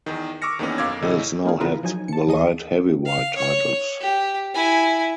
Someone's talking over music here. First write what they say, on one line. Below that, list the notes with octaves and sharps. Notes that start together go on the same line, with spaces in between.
Mills now had the light-heavyweight titles.
E2 D#3
C#6 D6 E6 F6 A#6 C#7
E2 D#3 A#3 B3 C#4
B1 F#2 F5 D6 E6 G#6
E2 A2 C#3 D#5
A#3 D#4 F4 G#4
C#3 E4 F4 G#4 A#4 B4
F3 F#3 D#4 G#5
A5 C#7
D#2 E3 G#4 D#5 D#7
F5
C#5
G4
E4 G#5